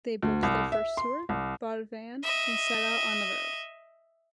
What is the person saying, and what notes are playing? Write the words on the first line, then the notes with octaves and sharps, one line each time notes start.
They booked their first tour, bought a van, and set out on the road.
D2
C2
E5
C6
C2
D#5 E5